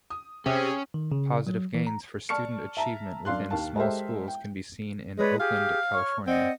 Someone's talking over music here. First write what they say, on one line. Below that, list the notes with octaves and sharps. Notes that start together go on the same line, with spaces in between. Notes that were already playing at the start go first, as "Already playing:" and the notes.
Positive gains for student achievement within small schools can be seen in Oakland California.
D#6
C3 C#4 G#4 G5
D#3
C#3
F#3
E3
A#5
D5 A5 C#6 F6 C#7
E5 A5 A#5
F#2 D4 F5 C6 F#6
D#2 F5 A5
G#3 G4 A4 A#4 C5 E5
G5
G#3 B4 C#5 D5
G4 G#4 F5
C#5 C#6 F6
C4 D5 D#5 F#5